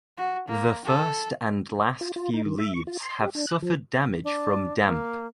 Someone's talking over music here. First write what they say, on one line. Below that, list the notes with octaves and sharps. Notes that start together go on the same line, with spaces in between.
The first and last few leaves have suffered damage from damp.
F#4
A#3
A4
F4
F4
D#4
D#3
E5
C#6
F4
C6
G4
D4
F#6
F3
D4
A#3